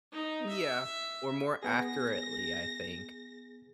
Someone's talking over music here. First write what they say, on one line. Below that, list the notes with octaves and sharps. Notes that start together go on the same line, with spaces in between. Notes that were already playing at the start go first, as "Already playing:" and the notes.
Yeah, or more accurately, I think,
D#4
E5
B3 G#4 A#6